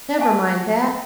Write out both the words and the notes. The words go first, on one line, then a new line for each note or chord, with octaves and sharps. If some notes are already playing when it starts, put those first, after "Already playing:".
'Never mind that.
F5 G#5 A5